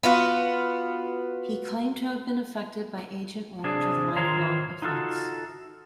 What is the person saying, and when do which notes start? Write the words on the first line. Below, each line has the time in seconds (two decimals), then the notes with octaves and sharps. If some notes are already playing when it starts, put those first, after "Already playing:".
He claimed to have been affected by Agent Orange with lifelong effects.
0.03 B3 F4 F#4
3.64 C3 D4 G#4
4.16 D#3 F4 C5 C#5 A#5
4.82 D#4 F4 F#4 A4